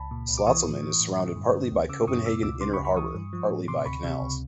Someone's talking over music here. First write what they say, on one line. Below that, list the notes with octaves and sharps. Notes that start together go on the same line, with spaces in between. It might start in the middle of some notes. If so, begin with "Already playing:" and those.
Slotsholmen is surrounded partly by Copenhagen Inner Harbour, partly by canals.
Already playing: C#2 A5 B5
A#2
C2
D6
E3 C#6 D#6
A2
E3
A2
D3
G2
D3
D2
C#3 D6 E6
F#2 C#6 D#6
B2 D6 E6
C#2 D6 E6
C#3 C6 D6
B5 C#6
C#2
B5 C#6
E3 C#6 D#6
G2
F3
A2
C3 C6 D6
D2 B5 C#6
C3
C#2